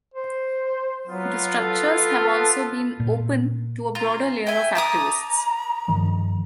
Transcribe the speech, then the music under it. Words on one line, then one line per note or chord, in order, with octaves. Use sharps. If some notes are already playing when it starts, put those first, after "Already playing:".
The structures have also been "open" to a broader layer of activists.
C5
F#3 B3 F4
A4
A#2
F4 A#5
E5 G5 G#5
A5 A#5 D6 D#6
G2 D#3 F3